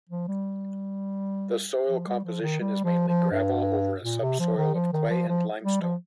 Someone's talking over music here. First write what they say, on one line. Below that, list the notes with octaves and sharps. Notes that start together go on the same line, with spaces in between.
The soil composition is mainly gravel over a subsoil of clay and limestone.
F3
G3
F3
G3
F3
D#3
G3
F3
F3
G2
A#2
C3
F3
D#3
F3
D#3
F3
F3
G3
F3